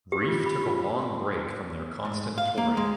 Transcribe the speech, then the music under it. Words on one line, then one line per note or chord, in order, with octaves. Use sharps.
Reef took a long break from their constant touring.
G4
F4
B5
F4
G#2
F5
A#3
G#3